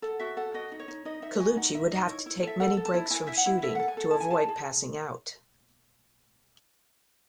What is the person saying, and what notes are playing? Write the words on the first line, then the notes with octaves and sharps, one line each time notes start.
Colucci would have to take many breaks from shooting to avoid passing out.
A4 F#5
F#4 E5
A4 F#5
F#4 D#5
D#4
C#5
D#4
D#4 D#5
D#4 E5
F#4 G#5
D#4 F#5
D#4 E5
D#4 D#5
E4 C#5
E4
A4 E5
A4 F#5
A4
A5
E4
E4 G#5
E4 E5
F#5
E4
A4 E5
A4 F#5
G#5
A4
E4 A5
G#5
G#4 A5
G#4